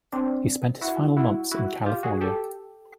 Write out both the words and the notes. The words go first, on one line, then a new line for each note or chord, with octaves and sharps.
He spent his final months in California.
C4 D4
E4 F#4
E4 F#4
E4 F#4
F4 G4
F#4 G#4
G4 A4